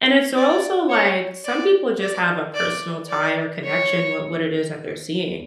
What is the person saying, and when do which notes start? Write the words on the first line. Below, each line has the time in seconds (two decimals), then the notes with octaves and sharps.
and it's also, like, some people just have a personal tie or connection with what it is that they're seeing,
0.36 D5
0.90 C#5
1.45 D5
2.00 D5
2.55 D5
3.09 D5
3.64 C#5